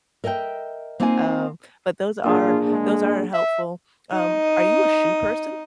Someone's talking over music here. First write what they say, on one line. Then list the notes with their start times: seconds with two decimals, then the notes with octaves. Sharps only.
Um, but those are those are helpful. Um, are you a shoe person?
0.24 A#4 D#5 E5 F#5 G5
1.00 A#3 C4 D#4 F4 G5 G#5
2.25 A#3 D4 F4 G#4
2.72 G#3
3.34 E5
4.11 D#4 D#5